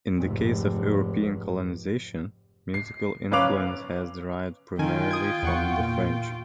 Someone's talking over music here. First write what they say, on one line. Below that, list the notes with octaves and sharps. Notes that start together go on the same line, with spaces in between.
In the case of European colonization, musical influence has derived primarily from the French.
F1 G#2
C7
F#1 C#4 B4 F5 D6 F7
D#3 F4 G5 G#5
D#6 G#6
E2 F#5 C#6
A#2